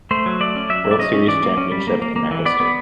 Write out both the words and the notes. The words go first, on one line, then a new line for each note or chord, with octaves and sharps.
World Series championship in their history.
A3 C5
F#3
A3 D5
C#4
F#3 E5
F#3
D5
C#4 D#5
C#4
E3 D5
A#3
C#4
G3
A#3
A#3
A#3
E3
B3 D5
B3